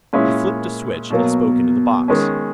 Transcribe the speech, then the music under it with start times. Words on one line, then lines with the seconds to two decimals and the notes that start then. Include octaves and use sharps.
He flipped a switch and spoke into the box.
0.13 A#2 G#3 C#4 E4
1.10 B2 F#3 A#3
2.08 D#3 G#3 C#4